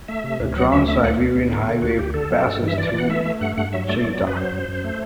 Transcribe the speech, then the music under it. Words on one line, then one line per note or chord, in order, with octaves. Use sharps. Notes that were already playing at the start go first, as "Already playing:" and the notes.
The Trans-Siberian Highway passes through Chita.
A3 E5
C3
D2
F#3 F#5
D2 E5
A3 E5
D2 F#5
D2
D2
D3
D3
D2 F#4
D2 G4
D3 A4
F#3
G2
E3
E5
E3 D5
E3 F#5
A3 E5
A3
G2 F#5
G2 F#5
F#3 E5
A3 D5
F#3
F#2
B4
F#3 C5
F#2
F#2
A3